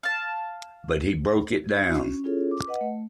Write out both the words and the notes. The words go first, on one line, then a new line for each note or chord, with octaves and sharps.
But he broke it down.
F5 A5
D4 E4 F#4
C#4
C#4 E4 F4 G#4 A4 C#5
D6
B4 D#5 F#5
A3